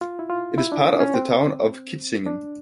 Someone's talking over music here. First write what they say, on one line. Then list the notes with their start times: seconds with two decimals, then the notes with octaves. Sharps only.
It is part of the town of Kitzingen.
0.01 F4
0.19 E4
0.30 F4
0.58 E4
0.72 D4
0.85 C#4
1.00 C#4
1.14 C4
2.26 D4